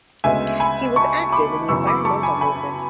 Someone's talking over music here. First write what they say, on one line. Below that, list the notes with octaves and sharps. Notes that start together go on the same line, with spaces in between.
He was active in the environmental movement.
D2 C#3 G#3 B3 E5 G#5
G#5 B5
A5 C#6
B5 D6
F#2 C#3 E3 B3 C#6 E6
B5 D6
A5 C#6
G#5 B5
G#5 B5